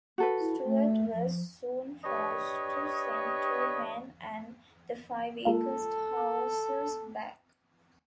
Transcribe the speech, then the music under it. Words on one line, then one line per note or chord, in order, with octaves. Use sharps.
Stuart was soon forced to send two men and the five weakest horses back.
F#4 A4 B4
E4
A3
F3
D4 G4 B4 C#5 D#5 C#6
G#3 A#3 F4 A4